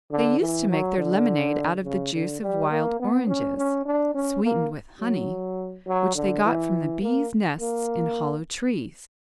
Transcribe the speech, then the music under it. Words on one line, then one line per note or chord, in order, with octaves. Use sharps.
They used to make their lemonade out of the juice of wild oranges, sweetened with honey which they got from the bees' nests in hollow trees.
D3
E3
F#3
D3
C#3
D3
G3
A#3
B3
C#4
C#4
D4
C#4
A#3
F#3
F#3
D3
E3
A#3
A#3